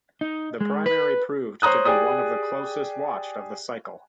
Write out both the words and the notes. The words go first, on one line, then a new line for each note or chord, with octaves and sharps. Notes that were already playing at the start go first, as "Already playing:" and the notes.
The primary proved to be one of the closest watched of the cycle.
D#4
G#3
B4
C5 C#5 A#5 D#6 F#6
G4 G#4 D5 D#6